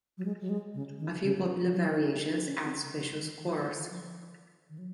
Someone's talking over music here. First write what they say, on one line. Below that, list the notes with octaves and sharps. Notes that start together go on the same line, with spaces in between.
A few popular variations add special scores.
F#3
G#3
F#3
G#3
C#3
D#3
C#3
F#3
D#4
C#4
D#4
C#4
C4
C#3
C#3
D#3
D#3
D#3
D#3
F#3
F3
D#3
F#3